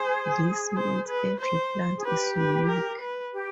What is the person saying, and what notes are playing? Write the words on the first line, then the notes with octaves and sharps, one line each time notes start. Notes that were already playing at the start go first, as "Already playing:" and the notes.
This means every plant is unique.
Already playing: G#4 C5
C5
B4
C5
G#4
G4 B4
B4
A#4
B4
G4